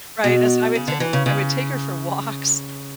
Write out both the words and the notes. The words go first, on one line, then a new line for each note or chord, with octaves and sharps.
right, and, so, I would ta I would take her for walks,
B2
C#3
D3
E3
C#3
C#3